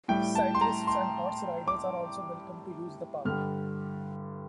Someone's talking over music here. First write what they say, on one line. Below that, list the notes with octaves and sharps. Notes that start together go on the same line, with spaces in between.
Cyclists and horse riders are also welcome to use the park.
A2 G3 G5
A5
C6
A#5
C6
D6
G2 D3 G3 F6